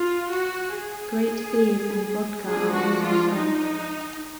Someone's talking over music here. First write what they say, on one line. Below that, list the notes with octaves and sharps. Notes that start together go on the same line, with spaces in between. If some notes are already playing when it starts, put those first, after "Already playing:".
Great beers and vodka are also served.
Already playing: F4
F#4
G#4
F3 G#3 D4 G#4
F#4
F4
D#4